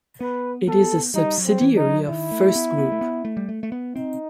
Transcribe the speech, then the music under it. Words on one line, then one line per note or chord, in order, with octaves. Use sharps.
It is a subsidiary of FirstGroup.
B3 B4
B3 A4
G3 D#4
F#3
C4
E3
D#4
F#3
D#3 E4
A3
A3
B3
B3
A3
B3
A3
G3
A3
A3
B3
C4 D#4